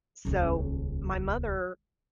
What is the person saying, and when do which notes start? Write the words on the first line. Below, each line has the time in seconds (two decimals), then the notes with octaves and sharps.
So, my mother
0.25 D#1 C#2